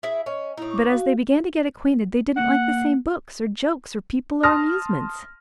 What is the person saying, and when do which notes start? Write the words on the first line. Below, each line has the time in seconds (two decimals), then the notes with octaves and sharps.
But as they began to get acquainted, they didn't like the same books or jokes or people or amusements.
0.03 E4 G#4 E5
0.26 C#4 D#5
0.57 A2 D#4 E4
0.71 C#6 D6
0.90 F#4 F5
2.37 A#3 F#5
4.43 A5 C6 D#6 F6 A#6